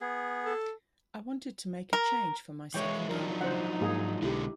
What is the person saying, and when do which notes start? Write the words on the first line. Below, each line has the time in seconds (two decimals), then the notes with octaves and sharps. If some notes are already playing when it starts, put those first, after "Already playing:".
I wanted to make a change for my second album.
0.01 B3 G#4
0.45 A4
1.93 A#4
2.74 E3 G#3 E4 C#5 G5
3.09 F3 F#3 D4 D#4 A#4
3.41 C5 F#5
3.81 G#2 G#3 A#3 G#4
4.22 B1 D3 G#3 E4 G4